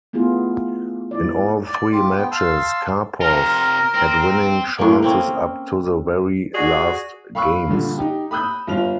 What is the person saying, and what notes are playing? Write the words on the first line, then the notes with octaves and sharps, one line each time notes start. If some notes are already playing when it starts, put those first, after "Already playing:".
In all three matches, Karpov had winning chances up to the very last games.
A3 B3 E4 F4 G#4
E4 D5
D5
F4 G4
B3 G5
F5 A5 C6 E6
C3 F4 A#4
C4
A2 A#3
A#3 C4 C#4
F#4 G#4 D5
F5 B5 C#6 E6 F#6
G2 A#2 D3
D#4 G4
B5 D#6 E6 F#6 G6
G1 F4 F7